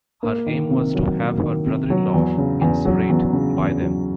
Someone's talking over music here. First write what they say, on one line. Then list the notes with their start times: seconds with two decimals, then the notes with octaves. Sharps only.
Her aim was to have her brother-in-law in Suratte buy them.
0.23 A#3
0.46 D#3
0.71 C3
0.94 F#3
1.19 A#3
1.42 D#3
1.66 C3
1.90 F#3
2.14 E2
2.38 C#3
2.61 E2
2.85 F#3
3.10 E2
3.33 C#3
3.57 E2
3.82 F#3